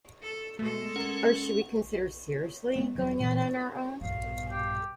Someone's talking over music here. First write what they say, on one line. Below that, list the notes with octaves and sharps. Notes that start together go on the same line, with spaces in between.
Or should we consider seriously going out on our own?
A4
B2 G#3 A3 A4
C#4 A#4 F#5 G#6
G#3 A#3 B3
E1 F#3
A#2 E3
A#1 G2 B2 F5
G4